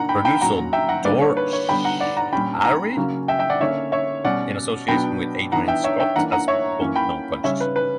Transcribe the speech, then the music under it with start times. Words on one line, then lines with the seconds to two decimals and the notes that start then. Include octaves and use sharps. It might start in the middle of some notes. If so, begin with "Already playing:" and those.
Producer Dore Schary, in association with Adrian Scott, has pulled no punches.
Already playing: A#2 A#3 D4 F#5 A#5
0.09 G5 B5
0.25 G5 B5
0.41 A#2 F#3 C#4 F#5 A#5
0.73 E5 G5
0.89 F#5 A#5
1.05 D3 G3 A#3 D4 B4 D5
1.21 C#5
1.37 B4
1.53 C#5
1.69 D3 G3 B3 D4 G5 B5
1.85 F#5 A#5
2.00 D5 F#5
2.17 F#5 A#5
2.33 A#2 G3 C#4 G5 B5
2.64 F#5 A#5
2.97 C#3 F#3 A#3 C#4
3.28 E5 G5
3.39 E5 G5
3.50 D5 F#5
3.60 D3 A#3 C#4 C#5 E5
3.92 C#5 E5
4.24 B2 G3 C#4 D5 F#5
4.88 B2 F#3 B3 D4 G5 B5
5.52 E3 B3 D4 F#5 A#5
5.68 E5 G5
5.84 C#5 E5
6.00 E5 G5
6.16 E3 A#3 D4 F#5 A#5
6.32 F#5 A#5
6.48 C#5 E5
6.80 E3 A#3 C#4
6.96 G5 B5
7.44 C#3 G3 C#4 C#5 E5
7.60 B4
7.76 B4